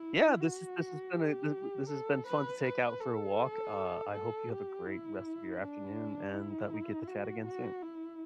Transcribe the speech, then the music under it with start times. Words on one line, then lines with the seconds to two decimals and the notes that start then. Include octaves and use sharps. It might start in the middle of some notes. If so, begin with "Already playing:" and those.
Yeah, this is this has been a, w this has been fun to take out for a walk. Uh, I hope you have a great rest of your afternoon and that we get to chat again soon.
Already playing: E4
0.41 F#4
1.15 G4
1.89 A4
2.27 B4
2.64 B4
3.01 A4
4.12 A4
4.49 G4
4.86 E4
5.60 D4
6.34 E4
7.08 F#4
7.46 F#4
7.82 E4